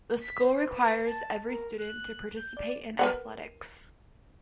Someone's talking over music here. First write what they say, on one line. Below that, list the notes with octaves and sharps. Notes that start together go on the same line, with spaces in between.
The school requires every student to participate in athletics.
B6
C5
B4
A5
A#4
F#6
G6
D5
A#4 B4 F#5